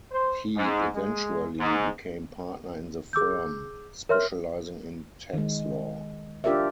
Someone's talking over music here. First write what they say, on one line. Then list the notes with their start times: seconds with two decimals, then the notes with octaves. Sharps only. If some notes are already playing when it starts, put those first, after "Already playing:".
He eventually became partner in the firm, specializing in tax law.
0.12 C5
0.56 G#2
0.94 G#3
1.59 G#2
3.13 G#4 D6 E6 G6
4.09 A#4 C#5 E5 C6 F6
5.33 D#3 G#3
6.44 D4 F4 G4 A#4 D5 E5